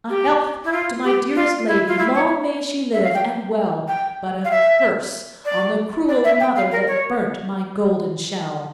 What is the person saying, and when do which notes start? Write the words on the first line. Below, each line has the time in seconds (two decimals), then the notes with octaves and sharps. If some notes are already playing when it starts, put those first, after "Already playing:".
'A health to my dearest lady, Long may she live and well! But a curse on the cruel mother That burnt my golden shell!'
0.09 G4
0.65 E4
0.72 F4
1.04 G4
1.35 F4
1.67 E4
1.88 F4
1.99 E4
2.14 C#5
2.93 E5
3.04 F5
3.14 G5
3.88 G5
4.45 F5
4.51 E5
5.45 D5
6.08 D5
6.24 E5
6.40 G5
6.56 F5
6.72 A#4
6.87 C#5